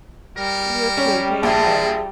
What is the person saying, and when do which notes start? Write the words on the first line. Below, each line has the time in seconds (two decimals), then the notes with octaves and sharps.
You too. Take care.
0.37 G3 A#4
0.97 C#4
1.43 A#1 A#3 G#4 E5 A5